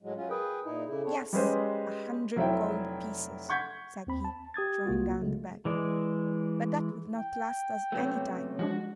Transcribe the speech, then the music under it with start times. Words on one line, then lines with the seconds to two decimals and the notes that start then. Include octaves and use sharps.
'Yes, a hundred gold pieces,' said he, throwing down the bag, 'but that will not last us any time.
0.03 A2 F#3 G#3
0.16 F#3 C#4 F4
0.29 G#4 A#4 B4 G5 D#6
0.65 A#2 D#4 E4
0.88 C#3 E4 G#4 A4
1.04 C4 D4 C#5
1.33 G3 G#3 C#4 B4 C5 D#5
2.36 F1 F#3 E4 C5 E5 G5
3.49 F#5 C#6 G6 G#6 B6
4.07 D#2 C4 B5
4.25 A5
4.54 G4 D#6 G#6 A6
4.86 C2 C3 A#3 F4 F#4
5.22 C#3 G#3 A3
5.65 E3 G#3 D5
7.17 G5
7.92 C3 F#3 A3 B3 C#4
8.59 F3 G#3 D4 F#4